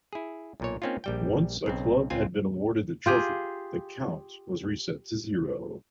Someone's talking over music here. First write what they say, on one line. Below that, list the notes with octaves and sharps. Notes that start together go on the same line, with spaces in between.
Once a club had been awarded the trophy, the count was reset to zero.
E4 G#4
B1 A#2 C#5
A#3 C4 C#4 D#4 F4
A#1 G3 G5
B1 C#3 C4
C#2 C4 F4 G#5
F4 G4 G#4